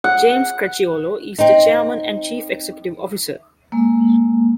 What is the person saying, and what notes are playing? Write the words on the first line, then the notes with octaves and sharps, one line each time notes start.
James Cracchiolo is the chairman and chief executive officer.
F#5
C4 D#4
G#3 A#3